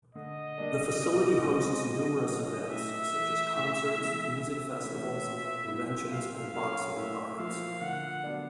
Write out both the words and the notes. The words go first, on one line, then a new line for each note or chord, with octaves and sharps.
The facility hosts numerous events, such as concerts, music festivals, conventions and boxing cards.
D3 D#5
G3 A#3 D4
B2
G#3 C4
F#3
A#3 C#4 F4
A2 E5
E3 A3
A2
E3 G#3 B3
C3 E5
E3 A3 C#4 E4
A#2
F#3 B3 E4
A#2 F5
F#3 A#3 C#4 F5
A2 E5
F3 A#3 F5
D3 F#5
F#3 B3 D4